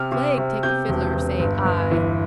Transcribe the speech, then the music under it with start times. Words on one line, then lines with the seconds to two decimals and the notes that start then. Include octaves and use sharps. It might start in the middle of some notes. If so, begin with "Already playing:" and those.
Plague take the Fiddler! say I.
Already playing: C3 F6
0.12 C3
0.38 C3
0.63 C3 G6
0.89 E1
1.14 E1
1.40 G1
1.65 G1
1.91 E3